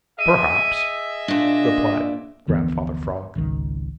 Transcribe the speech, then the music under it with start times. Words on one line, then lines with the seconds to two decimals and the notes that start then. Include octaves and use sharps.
"Perhaps," replied Grandfather Frog.
0.19 G#4 D#5 E5 D#7
1.28 A#2 D4 A#6
2.48 F1 D2 E3 B3
3.36 G#1 C#2 D#3